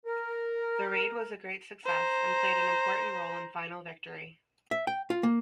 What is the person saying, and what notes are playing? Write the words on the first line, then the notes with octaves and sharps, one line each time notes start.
The raid was a great success, and played an important role in final victory.
A#4
C5 A#5
E5
G5
F4
A#3